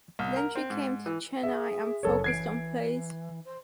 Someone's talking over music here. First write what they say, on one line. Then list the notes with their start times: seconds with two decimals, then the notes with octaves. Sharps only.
Then she came to Chennai and focused on plays.
0.19 C2
0.36 A#4
0.55 C4
0.70 G#2
1.06 E3
1.43 G#4 E5
2.03 F#1 A4 C#5
2.24 E3 G#6 C7 D7
3.45 C5